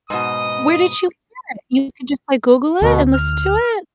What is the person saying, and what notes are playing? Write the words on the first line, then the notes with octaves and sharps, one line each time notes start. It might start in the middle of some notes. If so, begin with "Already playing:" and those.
Where did you hear it? You can just, like, Google it and listen to it?
G#2 B2 D#5 D#6
D2 B2
F6